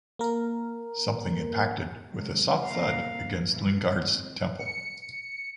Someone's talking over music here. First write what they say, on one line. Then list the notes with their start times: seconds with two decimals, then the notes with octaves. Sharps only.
Something impacted with a soft thud against Lingard's temple.
0.19 A#3 A#4
2.09 C3 F#3 G#3
2.65 A#3 A#4 F5
3.51 A#2 E3
3.86 G#2 C4
4.59 C#7